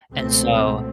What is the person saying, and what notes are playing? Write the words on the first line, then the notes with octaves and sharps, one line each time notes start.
And so,
C#2 B2 A3 C4